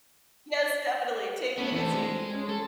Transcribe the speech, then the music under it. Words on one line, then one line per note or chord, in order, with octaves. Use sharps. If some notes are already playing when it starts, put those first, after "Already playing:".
Yes, definitely, take it easy.
A3 B3 C#4 F#7
E3 A3 C4 D4 A4
G#3
C#4
A4